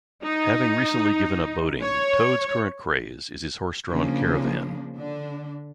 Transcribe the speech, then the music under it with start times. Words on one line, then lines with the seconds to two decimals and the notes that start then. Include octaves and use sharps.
Having recently given up boating, Toad's current craze is his horse-drawn caravan.
0.23 D#4
1.81 C#5
3.89 C#3 F3 A#3 D4
4.96 D3 D4